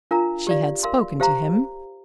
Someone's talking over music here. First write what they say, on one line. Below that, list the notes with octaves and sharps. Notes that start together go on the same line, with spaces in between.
She had spoken to him.
D4 F4 A#4 F5 A#5
G4 D5 F5
A#4 F5 C6
G4 C5 F5 A#5